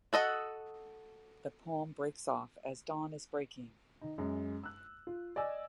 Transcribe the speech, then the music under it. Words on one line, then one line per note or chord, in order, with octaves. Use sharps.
The poem breaks off as dawn is breaking.
F#4 A4 D#5 F#5
D#3 D#4
F#2 G#3
E6 F#6
F4
D5 D#5 G#5 E6